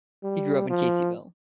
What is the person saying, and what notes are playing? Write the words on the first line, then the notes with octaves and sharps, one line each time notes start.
He grew up in Caseyville.
G3
F3